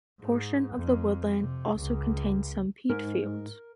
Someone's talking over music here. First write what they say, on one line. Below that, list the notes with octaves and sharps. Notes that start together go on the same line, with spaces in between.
Portion of the woodland also contains some peat fields.
G#2
F2
C3
C#2
G#2 A#4